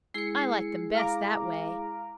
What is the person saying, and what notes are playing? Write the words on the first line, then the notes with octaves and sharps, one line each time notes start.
I like them best that way.
G#3 E4 G#4 C7 C#7
F5 A#5 D6